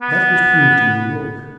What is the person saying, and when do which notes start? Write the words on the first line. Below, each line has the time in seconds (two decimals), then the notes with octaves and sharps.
That was proved in New York.
0.02 B3